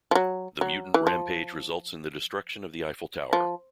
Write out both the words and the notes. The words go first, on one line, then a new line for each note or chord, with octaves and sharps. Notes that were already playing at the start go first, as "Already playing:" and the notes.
The mutant rampage results in the destruction of the Eiffel Tower.
F3
F#3
F#3
E3
F3
F3